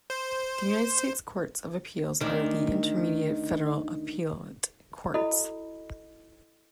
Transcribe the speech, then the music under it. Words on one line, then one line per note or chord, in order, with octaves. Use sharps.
The United States courts of appeals are the intermediate federal appellate courts.
C5
D2 D#3 D4
E4 F#4 A4 D#5 B5